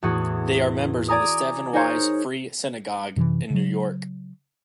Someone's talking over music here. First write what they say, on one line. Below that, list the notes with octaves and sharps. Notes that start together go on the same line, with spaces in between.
They are members of the Stephen Wise Free Synagogue in New York.
E2 A2 F#4 G#4
D5 G#5 A#5 D#6
D#4 G#4 A#4 C5 C#5
F#2 C3 D#3 E3
C#3 F#3